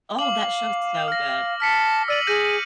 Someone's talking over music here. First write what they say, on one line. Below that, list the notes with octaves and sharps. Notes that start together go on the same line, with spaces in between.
Oh, that show's so good.
F5 D6 F#7
F6 A#6
A5 F6 B6 C#7
D5 E6 D#7 F#7
G#4 G6 A#6 D#7